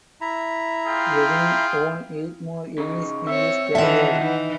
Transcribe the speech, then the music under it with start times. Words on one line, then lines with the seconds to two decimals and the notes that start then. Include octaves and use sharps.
Ewing won eight more Emmys in his career.
0.21 E4 E5 A#5
0.86 F4 G#4 G5
2.78 C#3 D#4
3.27 C4 C#5 E5
3.75 D#3 E3 F4 E5 F#5 A5
4.21 E3 D#4